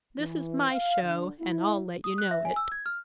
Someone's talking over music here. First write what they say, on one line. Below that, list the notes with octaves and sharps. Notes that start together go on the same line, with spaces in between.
This is my show, and I'll let you know it.
E3
F5
D3
E4
D#6
F#6
E5
G#5
E6
G#6
F6